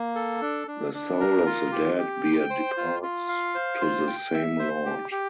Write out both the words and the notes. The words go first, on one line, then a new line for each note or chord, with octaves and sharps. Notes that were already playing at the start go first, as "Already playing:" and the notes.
The soul of the dead bear departs to the same lord.
Already playing: A#3
A4
D4
D4
D4
A#4
F4
G4
G4
G5
C5
F4
F4
F5
C5
F4
G5
E5
C5
G4
G4